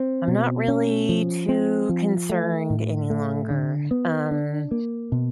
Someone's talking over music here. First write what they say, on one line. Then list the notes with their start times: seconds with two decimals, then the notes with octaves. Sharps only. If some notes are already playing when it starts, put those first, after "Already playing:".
I'm not really too concerned any longer, um
Already playing: C4
0.28 B2
0.68 C#4
1.09 F3
1.49 C4
1.89 F3
2.30 A3
2.70 A2
3.10 A3
3.50 D3
3.91 B3
4.31 D4
4.71 A#3
5.12 B2